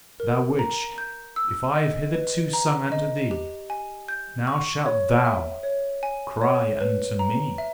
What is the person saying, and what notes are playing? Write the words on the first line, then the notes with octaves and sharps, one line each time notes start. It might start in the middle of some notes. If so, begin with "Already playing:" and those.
Thou witch, if I have hitherto sung unto thee, now shalt THOU--cry unto me!
A#4
A#5
G6
E6
D#5
B4
A#5
D#5
G4
G#5
G6
C#6
C#5
E5
C#5
G#5
C#5
B4
A#5
E5